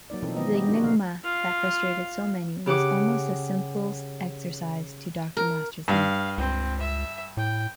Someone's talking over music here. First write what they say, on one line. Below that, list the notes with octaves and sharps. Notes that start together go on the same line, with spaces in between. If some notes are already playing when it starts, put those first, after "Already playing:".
The enigma that frustrated so many was almost a simples exercise to Dr. Masterson.
F#3 A#3 D#4 D5
B2 E3 F3 C4 D#4 A4
D#3 F#3 A3 B3 D#5
G4 D#5
D4 D#4 F4 F#4 G#4
B2 D3 F3 A3 F5
F4 F5
C#3 G4 F#5 D6
A#4
G2 F5
C#2 C4
E5
A2 G5